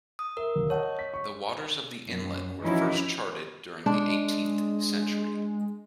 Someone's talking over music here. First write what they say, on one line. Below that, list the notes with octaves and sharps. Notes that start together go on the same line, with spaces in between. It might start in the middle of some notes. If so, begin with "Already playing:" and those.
The waters of the inlet were first charted during the eighteenth century.
D#6
A#4 E5
D#2
C#5 D#5 F#5 A5
B6
C#6
F#2
E3 F3 C#4 D#4 E4 F#4
G#3 D4